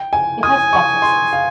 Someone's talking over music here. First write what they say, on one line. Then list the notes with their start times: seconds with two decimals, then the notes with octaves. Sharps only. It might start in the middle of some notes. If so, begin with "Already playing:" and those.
It has buttresses.
Already playing: G5
0.13 G#5
0.43 G#5 D#6
0.73 C#6
1.02 C6
1.33 F5